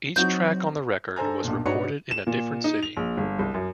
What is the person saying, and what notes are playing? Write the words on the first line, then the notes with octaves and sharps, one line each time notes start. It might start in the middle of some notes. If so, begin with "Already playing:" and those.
Each track on the record was recorded in a different city.
F#3 C4 D#4 F#4 G6
G2 A4 C5 G#5 A#5
B1 G2 A#2
G#2 D4 F#4 B4 C#5 C#7
E7
A#2
D#4
F7
A#1
G1
C2
F#2